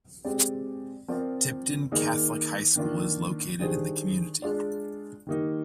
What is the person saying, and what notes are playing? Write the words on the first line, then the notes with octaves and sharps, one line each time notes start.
Tipton Catholic High School is located in the community.
G#3 C4 G4 D5
F3 C4 F4 A#4 D5
D#3 A#3 D#4 G#4 D5
D#3 A#3 D4 F4
D#3 G3 D4 G#4 C5
G#3 D4 F4 G#4 D5
D#3 G3 A#3 D#4